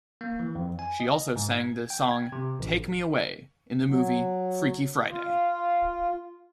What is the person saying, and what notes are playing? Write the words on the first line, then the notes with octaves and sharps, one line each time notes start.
She also sang the song "Take Me Away" in the movie "Freaky Friday".
A#3
E3
F2
G#5
D#5
G#2
G#6
G5
G#6
C3
A1
F#3
F4